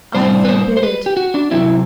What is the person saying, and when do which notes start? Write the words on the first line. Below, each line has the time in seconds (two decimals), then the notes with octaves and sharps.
I forbid it.
0.15 A2 G3 D4 C5
0.45 B4
0.49 C5
0.77 C5
0.83 B4
1.06 G4
1.17 F#4
1.34 D4
1.51 C3 F#3 C4 E4